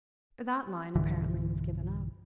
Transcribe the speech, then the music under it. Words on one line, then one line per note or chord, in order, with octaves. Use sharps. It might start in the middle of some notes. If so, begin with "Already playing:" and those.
That line apparently was given up.
B1 G2 D3 E3